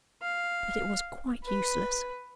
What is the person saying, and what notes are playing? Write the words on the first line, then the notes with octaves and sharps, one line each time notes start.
But it was quite useless.
F5
B4